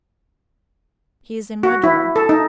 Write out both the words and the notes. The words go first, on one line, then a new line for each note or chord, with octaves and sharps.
He is a murderer.
F#4
E4
A4
D#4